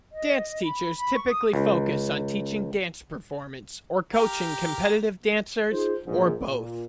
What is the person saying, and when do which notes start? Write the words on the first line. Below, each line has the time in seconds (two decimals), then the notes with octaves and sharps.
Dance teachers typically focus on teaching dance performance, or coaching competitive dancers, or both.
0.12 D#5
0.63 B5
0.97 B5
1.16 C#6
1.29 D#6
1.53 C#2
4.14 G4 A#4 F5
5.71 D#4 F4 G#4 C5
6.06 A#1 G#2
6.46 A#2